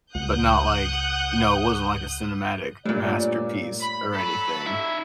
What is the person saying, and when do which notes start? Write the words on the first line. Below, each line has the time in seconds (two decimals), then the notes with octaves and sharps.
but not like you know, it wasn't like a cinematic masterpiece or anything,
0.15 C#2 F#5 D#6 F#6 G6
2.85 G2 A#2 A3 C#5 D5
3.81 B5
4.13 F#3 A4 B5
4.66 D#4 E5